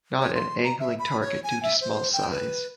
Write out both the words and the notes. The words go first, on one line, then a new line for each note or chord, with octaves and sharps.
Not an angling target due to small size.
C#5
C6
A#5
E5
B5
C#5
G#5
E5
C5
G5
B4